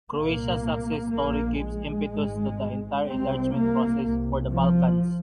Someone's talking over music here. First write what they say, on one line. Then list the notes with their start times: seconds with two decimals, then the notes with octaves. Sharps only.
Croatia's success story gives impetus to the entire enlargement process for the Balkans.
0.13 C2 A#2 A#3
1.10 A#1 A#2 A#3
1.59 G#3
2.08 G#1 G#2
3.06 C2 C3 C4
3.55 A#3
4.04 C2 C3
4.53 F3